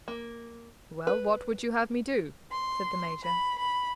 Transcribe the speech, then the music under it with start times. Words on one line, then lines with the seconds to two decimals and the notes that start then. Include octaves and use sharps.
"Well, what would you have me do?" said the major.
0.08 A#3
1.07 B4
2.52 C6
3.24 B5
3.59 B5